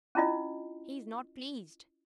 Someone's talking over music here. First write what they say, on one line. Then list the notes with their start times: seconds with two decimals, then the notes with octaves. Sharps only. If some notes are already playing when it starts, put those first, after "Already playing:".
He's not pleased.'
0.15 C#4 D4 E4 F4 D#5